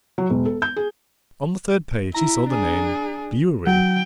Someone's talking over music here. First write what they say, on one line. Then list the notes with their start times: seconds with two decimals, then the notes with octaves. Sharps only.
On the third page he saw the name Bewery.
0.18 F#3
0.30 E1
0.45 A4
0.62 G6
0.76 G#4
2.14 E4 A#5
2.49 D4 G#4
3.67 F#3 G5